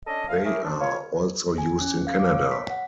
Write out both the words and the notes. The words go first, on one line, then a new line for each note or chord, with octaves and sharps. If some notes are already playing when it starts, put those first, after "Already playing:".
They are also used in Canada.
C#4 D4 A4 D#5
D2 F5
A3 C#4 E4 G4 G#4 A#4
D4
F4 C#5
G#5
C#4
F5
D6
C#5
B6
F#5